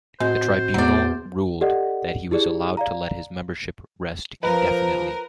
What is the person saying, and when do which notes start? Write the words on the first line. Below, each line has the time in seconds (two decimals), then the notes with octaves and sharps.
The tribunal ruled that he was allowed to let his membership rest indefinitely.
0.20 A2 G#3 C4 F#4 C5
0.74 E2 F#3 D5
1.61 G4 A4 D5 D#5 F#5
2.31 E4 G4 G#4 D5
2.77 D5 F5 A#5
4.43 F3 A#4 B4